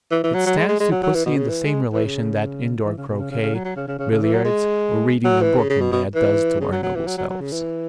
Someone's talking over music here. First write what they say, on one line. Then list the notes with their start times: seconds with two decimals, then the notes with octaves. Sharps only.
It stands to pussy in the same relation that indoor croquet, billiards, or reading a book in bed does to our noble selves.
0.11 E3
0.24 E3
0.34 F#3
0.46 F#3
0.58 G#3
0.69 G#3
0.80 G#3
0.91 F#3
1.03 F#3
1.14 E3
1.26 B2
1.37 C#3
1.49 E3
1.65 G#3
1.93 E3
2.05 C#3
2.85 E3
2.97 C#3
3.08 B2
3.19 C#3
3.31 C#3
3.42 C#3
3.54 F#3
3.64 F#3
3.76 C#3
3.88 C#3
3.99 C#3
4.10 C#3
4.22 E3
4.33 F#3
4.45 G#3
5.24 F#3
5.41 E3
5.58 C#3
5.70 C#3
5.81 B2
5.92 B2
6.15 E3
6.61 C#3
6.72 F#3
6.83 F#3
6.95 E3
7.07 F#3
7.17 F#3
7.30 F#3
7.41 C#3
7.52 E3